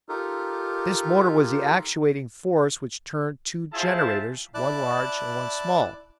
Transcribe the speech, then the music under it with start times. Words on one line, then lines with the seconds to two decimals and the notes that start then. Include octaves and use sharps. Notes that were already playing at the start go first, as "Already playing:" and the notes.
This motor was the actuating force which turned two generators, one large and one small.
0.09 D#4 F4 G4 A4 A#4
3.73 E4 F4 G#4 C5 A5
4.54 E4 D5 A5 F#6